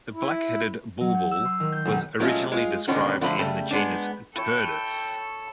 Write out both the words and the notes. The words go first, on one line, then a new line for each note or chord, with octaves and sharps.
The black-headed bulbul was originally described in the genus "Turdus".
E4
F#3
G6
E6
C6
D#3
G6
B1
F#3 G#3 A3 C#4 F4
G#3 F4
D#2 B2 D3 B3 C#4 D#4
D3 F3 A3 B5
C#3 G3 A3
G#3 B3 D4
E4 A4 C#5 G5